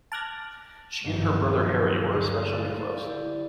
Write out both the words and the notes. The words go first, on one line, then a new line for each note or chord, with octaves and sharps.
She and her brother Harry were especially close.
A5 D6 F6 F#6 G#6 A#6
G#1 G2 D#3 F3 F#3 B3
A#1
D#2
G1 D3 D#5 C6 C7
D5 F5 C6 F#6 A6 B6
E4 G4 D5 G5